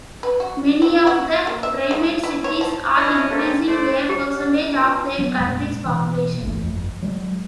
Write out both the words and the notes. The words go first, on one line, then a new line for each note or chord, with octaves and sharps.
Many of the primate cities are increasing their percentage of their country's population.
B4
F#4
C4
F#4
A#3
E5
G#3
E4
C#5
F3
C#4 D4 E4 C#5 D#5
A#3 C4 C#4 G4 A4
A3 C5 D5
G4 C#5
D5 F#5
B2 D#4 F4
F#3 B3
F2 A#2 G#3
B2 E3
G1 C#2 E3 A3
G1 F2
F#3 G#3